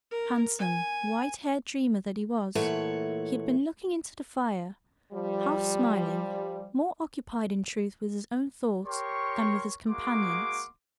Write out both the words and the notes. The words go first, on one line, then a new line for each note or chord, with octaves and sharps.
Handsome, white-haired dreamer that he was, he had been looking into the fire, half--smiling, more occupied, in truth, with his own thoughts than with his companions.
A#4
G#5
A#2 E3 A3 C#5 F#5
F3 G3
G4 A#4 C#5 C6 C#6
G#3 A#3 F#4 C6 D6